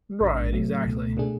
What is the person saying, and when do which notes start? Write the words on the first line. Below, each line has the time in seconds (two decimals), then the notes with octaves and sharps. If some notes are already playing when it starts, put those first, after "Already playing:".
Right. Exactly.
0.21 A1 G#2 G#3 D4
0.53 A2 F#3 A3
0.85 C#2 B2 A3
1.17 B2 A3 D4 G#4